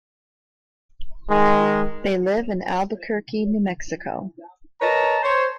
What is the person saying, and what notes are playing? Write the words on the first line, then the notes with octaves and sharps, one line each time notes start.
They live in Albuquerque, New Mexico.
D#3 G#3
A#4 B4 C#5 D#5 A5 A#5
C5 C#5